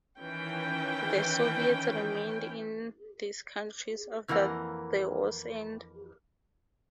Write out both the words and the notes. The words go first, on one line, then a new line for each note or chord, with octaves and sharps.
The Soviets remained in these countries after the war's end.
D#3 E3 C#4 G5
F2 E3 A#3 A#4 F#5